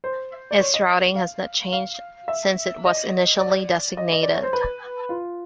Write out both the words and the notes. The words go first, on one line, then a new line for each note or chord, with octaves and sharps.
Its routing has not changed since it was initially designated.
C5
D5
C#5
D#5
F5
F5
E5
D#5
D5
D#5
D#5
D5
C#5
C5
B4
F4